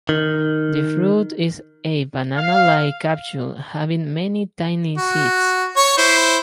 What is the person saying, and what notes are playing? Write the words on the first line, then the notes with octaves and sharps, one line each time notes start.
The fruit is a banana-like capsule having many tiny seeds.
D#3
F5
F#4
C#5 C#6
E4 C5